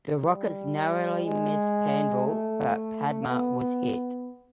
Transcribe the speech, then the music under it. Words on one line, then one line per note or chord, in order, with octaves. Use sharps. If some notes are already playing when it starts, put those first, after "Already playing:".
The rockets narrowly missed "Panvel" but "Padma" was hit.
G3
G#3
A3
B3